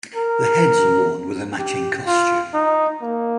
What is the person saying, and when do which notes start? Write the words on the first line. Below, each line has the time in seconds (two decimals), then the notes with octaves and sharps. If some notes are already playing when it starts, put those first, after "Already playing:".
The heads are worn with a matching costume.
0.16 A#4
1.59 G4
2.07 F4
2.54 D#4
3.03 A#3